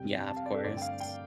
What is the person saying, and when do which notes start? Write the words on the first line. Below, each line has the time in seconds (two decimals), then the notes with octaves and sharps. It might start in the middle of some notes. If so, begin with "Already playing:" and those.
Yeah, of course.
Already playing: F2 C3 G3 G5
0.27 A5
0.37 F5
0.46 D5
0.54 A4
0.64 G2 D3 A3 C4 D5
0.77 G5
0.82 F5
1.00 G5